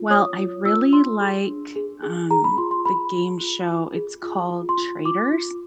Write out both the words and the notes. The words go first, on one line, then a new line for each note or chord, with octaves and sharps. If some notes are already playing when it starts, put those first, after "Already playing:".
Well, I really like, um, the game show, it's called Traitors.
Already playing: F4
C#5 D#6
F4
F4 E6
C#5 C6
G#4
D4
G#4
G#4
G#4 A#5
B5
F4 C6
C6
G#4 B5
G#4
F4
F4
G#4
F4
F4
C6
F4
F4 D6
F4